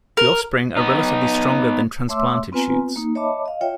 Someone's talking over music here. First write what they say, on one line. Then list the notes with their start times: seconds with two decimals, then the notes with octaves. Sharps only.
The offspring are relatively stronger than transplanted shoots.
0.17 A#4
0.77 B3 D#4
2.09 A3 C#5 E5 C6 D6 E6
2.52 B3 C4 F4 B4 G#5 A#5
2.96 A#3 D#4
3.15 C#5 D#5 E5 A5 B5 D6
3.46 D#5 F5
3.61 F4 C#5 E5 G5